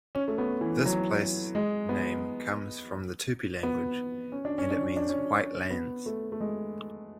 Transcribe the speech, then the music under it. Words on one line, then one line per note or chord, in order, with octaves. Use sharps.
This place name comes from the Tupi language, and it means "White Lands".
C#4
A3
B3
E3
F#3
G#3
B3
B3
C#4
D4
C#4
D4
C#4
D4
C#4
B3
A3
A3
G#3